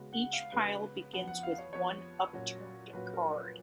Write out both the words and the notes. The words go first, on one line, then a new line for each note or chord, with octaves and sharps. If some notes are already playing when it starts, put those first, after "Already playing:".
Each pile begins with one upturned card.
Already playing: C#3 G#3 B3 F#4
F#5
F5
C#3 G#3 B3 F#4 B4
F2 F3 B3 F#5
F#5
F5
C#5
F2 F3 B3 C#5
A#2 F#3 C#4 F#4
A#2 F#3 C#4 F#4 B4
A#4
B4